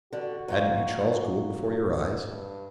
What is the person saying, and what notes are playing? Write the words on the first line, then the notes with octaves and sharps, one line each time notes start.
Hadn't you Charles Gould before your eyes?
D3 G3 F#4
F#3 F4 G5
G2